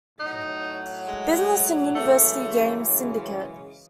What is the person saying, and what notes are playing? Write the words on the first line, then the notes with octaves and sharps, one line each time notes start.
'Business and University Games Syndicate'.
A2 F#3 D#4
G#3
F#2 C#3 E3 G#3 A3